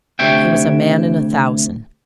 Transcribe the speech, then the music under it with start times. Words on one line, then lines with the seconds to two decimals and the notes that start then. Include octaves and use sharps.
He was a man in a thousand.
0.19 D2 C3 C#5 E5 G5